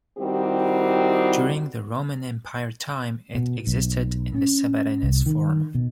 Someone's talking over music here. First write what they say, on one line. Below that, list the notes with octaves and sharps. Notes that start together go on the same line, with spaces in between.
During the Roman Empire time, it existed in the Sabbatinus form.
D#3 G3 C4 E4 F#4 G4
B2
B1
C#4
C2
D#3
B2